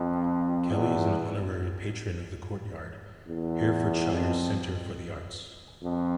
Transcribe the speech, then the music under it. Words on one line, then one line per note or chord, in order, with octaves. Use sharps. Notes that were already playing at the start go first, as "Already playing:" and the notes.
Kelly is an Honorary Patron of The Courtyard, Herefordshire's Centre for the Arts.
Already playing: F2
E2
E2
F2
F2